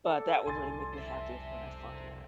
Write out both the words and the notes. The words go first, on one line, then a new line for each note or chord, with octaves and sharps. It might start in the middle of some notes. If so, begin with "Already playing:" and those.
but that would really make me happy if when I find that.
A4 D5
F1 C2 G#5 C6 A6
C5 E5